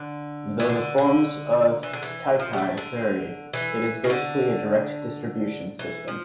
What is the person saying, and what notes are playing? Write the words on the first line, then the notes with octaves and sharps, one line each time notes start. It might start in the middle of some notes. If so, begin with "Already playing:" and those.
Though the forms of teikei vary, it is basically a direct distribution system.
Already playing: D3
E3
D3
D3
E3
D3
E3
F3
G3
A3
D3
E3
C#3
D3
E3
F3